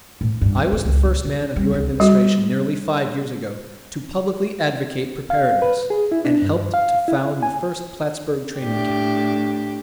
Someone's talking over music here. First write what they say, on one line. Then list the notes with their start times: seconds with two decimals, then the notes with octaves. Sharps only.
I was the first man of your Administration, nearly five years ago, to publicly advocate preparedness, and helped to found the first Plattsburg training camp.
0.21 A2
0.41 G2
0.72 C4
0.85 C#2
1.05 C#3
1.25 C#3
1.56 G3
1.74 C#2
2.00 G3 F#4
5.30 F5
5.62 B4
5.90 G#4
6.12 E4
6.25 D4
6.42 G2
6.74 F5
7.08 E4
7.43 G#5
8.59 A2 D4 G4